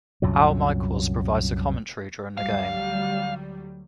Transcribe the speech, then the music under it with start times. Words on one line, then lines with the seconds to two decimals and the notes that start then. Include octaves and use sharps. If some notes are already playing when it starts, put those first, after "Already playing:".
Al Michaels provides the commentary during the game.
0.22 C2 F#2 A#2 F#3
2.37 D2 F#3 G3 F5